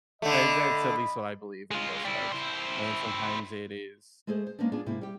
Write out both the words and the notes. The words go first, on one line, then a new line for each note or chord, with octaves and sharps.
Uh, that's at least what I believe in the most cards. And sometimes it is
D3 A3 D#5 B5
G#3 F4
G3 E4
E4 C5
G#3 A3 G#4 A4 C5
C5
G#3 A#3 B3 C#4 D4
B3 D4 F4 G#4
G#2 C3 A#3 E4
G3 G4